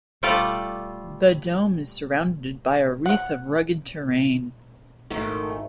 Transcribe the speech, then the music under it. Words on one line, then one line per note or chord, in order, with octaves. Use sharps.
The dome is surrounded by a wreath of rugged terrain.
G3 A3 F4 A4 D5 F5
F#5
G#1 D#3 A3